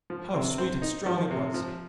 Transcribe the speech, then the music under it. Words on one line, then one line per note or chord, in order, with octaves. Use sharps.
How sweet and strong it was!
F3
C3
C4
D#4
F3
C3
F3